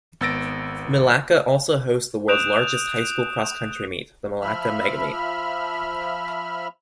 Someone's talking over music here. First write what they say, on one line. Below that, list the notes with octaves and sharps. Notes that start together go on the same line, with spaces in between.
Milaca also hosts the world's largest high school cross-country meet, The Milaca Mega-Meet.
G#1 B3 E6 A6 A#6 D7
D#6 F#6 G6 D7 E7 F7
F3 E5 B5 F6